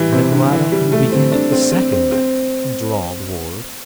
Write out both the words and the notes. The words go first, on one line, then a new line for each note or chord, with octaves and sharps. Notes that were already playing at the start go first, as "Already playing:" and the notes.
"Then why don't you begin it the second night?" drawled Ward.
Already playing: E3 G3
C3
D3
E3
G3
A3
C4
D4
C4
C4
C4
C4